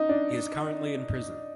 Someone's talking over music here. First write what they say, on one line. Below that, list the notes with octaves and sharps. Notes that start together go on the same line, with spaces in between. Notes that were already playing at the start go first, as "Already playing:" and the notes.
He is currently in prison.
Already playing: D#4
D4